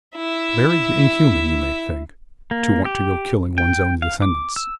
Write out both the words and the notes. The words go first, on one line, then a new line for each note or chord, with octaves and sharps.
Very inhuman, you may think, to want to go killing one's own descendants!
E4 E5
A#3
G4
G5
F5
D6
E6